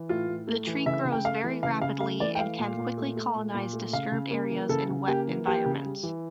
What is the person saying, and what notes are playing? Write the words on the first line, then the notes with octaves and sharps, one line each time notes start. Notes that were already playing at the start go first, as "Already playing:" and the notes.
The tree grows very rapidly and can quickly colonize disturbed areas in wet environments.
Already playing: E3
A2 F4
A2
A3
E3
C#3 E5
C#3
G5
A3 F5
E3
C#3 F5
C#3 F5
A3 F5
E3 D5
G5
A3 F5
A#2
A#2
A3
A3
A#2
A#2
A3
C#3 F5
C#3
A#3
E3
C#3 A4
C#3
A#3 G4
E3
A#3 G4
C#3
G3
E3